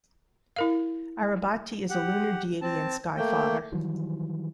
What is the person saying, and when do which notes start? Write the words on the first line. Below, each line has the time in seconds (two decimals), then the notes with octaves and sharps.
Arebati is a lunar deity and Sky Father.
0.56 E4 A#4 F5
1.90 G4 F#5
2.62 C4 A5
3.17 A3 A#3 G5
3.72 D#3 E3 F#3 G3